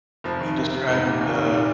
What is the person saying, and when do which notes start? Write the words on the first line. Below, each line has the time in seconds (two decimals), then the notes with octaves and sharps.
he described the
0.24 F1 F3
0.40 D#3
0.57 C3 D#3
0.73 C3
0.89 F1 G#2
1.04 A#2
1.21 D#2 C3
1.37 D#3
1.52 A#2